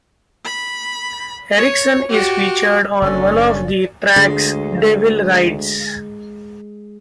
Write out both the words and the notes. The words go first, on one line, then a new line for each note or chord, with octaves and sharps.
Erickson is featured on one of the tracks, "Devil Rides".
B5
C#5
F#4 G4
F#1 D3 D#3 C#4 D5
D2 D3 G#3